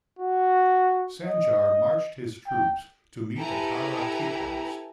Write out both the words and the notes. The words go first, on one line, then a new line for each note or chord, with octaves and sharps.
Sanjar marched his troops to meet the Kara-Khitans.
F#4
D#5
G5
E4 G4 A4 B4 G#5 A#5